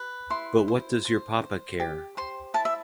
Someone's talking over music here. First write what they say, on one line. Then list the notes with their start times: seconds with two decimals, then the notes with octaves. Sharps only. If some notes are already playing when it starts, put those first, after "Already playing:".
But what does your papa care!
Already playing: B4
0.30 E4 C6
0.68 C5
1.05 C5
1.42 C5
1.80 G4
2.17 C5 C6
2.54 E4 A5
2.65 E5